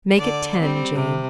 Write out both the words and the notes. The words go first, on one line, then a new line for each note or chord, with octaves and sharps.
"Make it ten, Jane."
D3 D5
G3 C4
C3